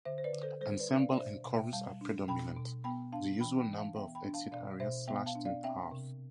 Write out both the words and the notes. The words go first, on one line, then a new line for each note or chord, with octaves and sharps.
Ensemble and chorus are predominant: the usual number of exit arias slashed in half.
D3 C5 E5
C5
B4 D5
D3
A4 C5
G3 A4 C5
B4 D5
D4
D5 F5
D5
B2 C5 E5
B2
E5 G5
G3 F5 A5
D4
B2 G5 B5
B2
B3 G5 B5
D4 F5 A5
E3 G5 B5
G5 B5
E3
F5 A5
B3 E5 G5
G5 B5
D4
F5 A5
B2 D5 F5
B2 C5 E5
B3 E5 G5
F5 A5
D4
D5 F5
C4 E5 G5
C3